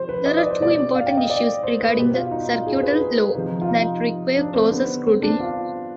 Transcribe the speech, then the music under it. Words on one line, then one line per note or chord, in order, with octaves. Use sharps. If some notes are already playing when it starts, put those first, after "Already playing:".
There are two important issues regarding the circuital law that require closer scrutiny.
Already playing: C3 F3 C5
B4
D#5
D5
C5
B2 G3 D5
F5
G5
D#5
D5
C5
B4
B2 G3 G4
F4
D#4
F4
G#4
C5
B4
G#4
C3 F3 D#4
F4
D#4
D4
C4
D3 G3 B3
C4
D4
F4